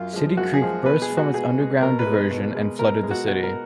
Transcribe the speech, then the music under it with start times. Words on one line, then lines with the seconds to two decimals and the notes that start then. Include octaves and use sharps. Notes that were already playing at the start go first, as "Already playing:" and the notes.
City Creek burst from its underground diversion and flooded the city.
Already playing: F#2 F4
0.13 F3 G#3
0.37 F#2 F#4
0.53 G#4
0.62 F3 G#3
0.85 B2 B4
1.02 G#4
1.10 G#3
1.17 F#4
1.34 B2 G#4
1.58 G#3
1.82 B2 A#4
1.99 B4
2.06 G#3
2.15 B4
2.31 B2
2.55 G#3
2.79 B2 A#4
3.03 G#3
3.11 F#4
3.27 B2 F#4
3.43 A#4